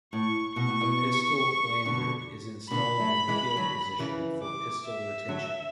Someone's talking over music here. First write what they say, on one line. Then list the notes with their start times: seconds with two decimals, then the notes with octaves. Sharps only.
A pistol lanyard is installed in the heel position for pistol retention.
0.13 A2 C#6
0.56 B2 C#6
0.69 A2
0.81 B2
1.85 B2 D3
2.71 B2 D3 B5
2.99 F#3 A3
3.28 E3 G#3
3.56 D3 F#3
3.99 C#3 E3
4.42 D6
4.86 E5
5.28 D3 F#3